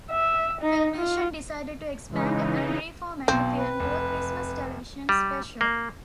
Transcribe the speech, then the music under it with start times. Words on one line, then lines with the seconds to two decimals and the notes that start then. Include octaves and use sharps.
Filmation decided to expand and reformat the film to a Christmas television special.
0.11 E5
0.61 D#4
0.98 F4
2.12 C#3 E3 G#3 D#4
3.28 B1 B2 C4
3.57 B4
3.80 F1
5.09 G3
5.61 A#3